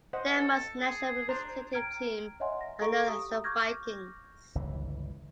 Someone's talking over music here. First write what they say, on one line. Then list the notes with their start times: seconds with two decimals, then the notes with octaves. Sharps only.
Denmark's national representative team are known as the Vikings.
0.13 C5 D#5 F#5
0.31 A4
0.80 G#4
1.29 D4 C5 A#5
1.73 G5 A#5 F6 G#6 D7
2.40 C#5 D#5 E5 F#5 G#5 C6
2.61 A#6
2.81 A4 F5 A#5 C#6 D7
3.08 G4 F5 D#6
3.44 C#6 D6 F6 G6 G#6 A#6
4.55 G1 C#2 E3